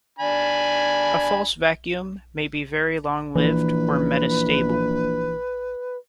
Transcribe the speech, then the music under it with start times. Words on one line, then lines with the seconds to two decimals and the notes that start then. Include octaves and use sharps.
A false vacuum may be very long-lived, or "metastable".
0.19 D4 G#5 B5
3.36 A#1 E3 B4